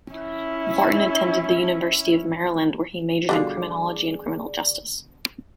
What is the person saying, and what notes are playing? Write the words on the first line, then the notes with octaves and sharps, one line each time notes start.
Barton attended the University of Maryland where he majored in Criminology and criminal justice.
C#4 E4
B2 D3 G3 D4 F4 G#4 D5